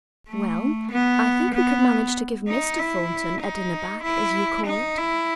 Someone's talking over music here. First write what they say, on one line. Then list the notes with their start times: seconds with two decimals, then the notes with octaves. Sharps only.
'Well, I think we could manage to give Mr. Thornton a dinner back, as you call it.
0.29 A3
0.92 B3
1.54 B3
2.48 D#4
2.79 E4
3.42 D#4
4.03 E4
4.66 D#4
4.97 E4